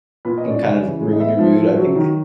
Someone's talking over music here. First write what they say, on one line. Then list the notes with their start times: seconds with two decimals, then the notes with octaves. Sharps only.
can kind of ruin your mood, I think
0.25 A#2 B4
0.38 D#5
0.44 C#4
0.50 D5
0.63 C#3
0.82 E3
1.01 G#3
1.13 D#5
1.20 B3 E5
1.39 F3
1.58 F3
1.77 F#3
1.96 D#3